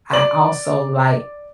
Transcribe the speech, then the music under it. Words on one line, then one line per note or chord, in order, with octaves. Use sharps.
I also like,
D5 F#7